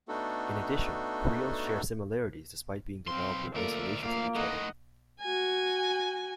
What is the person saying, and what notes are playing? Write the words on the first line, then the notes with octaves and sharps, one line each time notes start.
In addition, creoles share similarities despite being developed in isolation from each other.
A3 B3 D4 D#4 F#4 A4
B1 C4 F5 C6
D2 A3 A#3 F4 A#4 D5 E5
D2 A#3 F4 F5 D7
A2 D#3 A4 D#5 F#5
F#4 G#5